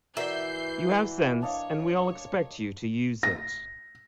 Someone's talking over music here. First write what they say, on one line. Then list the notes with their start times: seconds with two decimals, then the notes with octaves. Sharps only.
You have sense, and we all expect you to use it.
0.17 E3 F#4 A#4 D5 E5 G6 C7
1.42 D4 C#5 D#5 F5
3.23 A#6